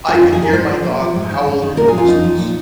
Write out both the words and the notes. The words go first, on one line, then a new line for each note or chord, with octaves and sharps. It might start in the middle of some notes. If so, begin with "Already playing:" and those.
I could hear my dog howl in the distance.
G#4
F4
F2 D#4
G#4
C3 F3 A#4
G#2 C5
F3
A#2
F3
G#2
D#3
G#2
D#3
A#2 A#4
G#4
F3 F4
F2 D#4
F3
A#2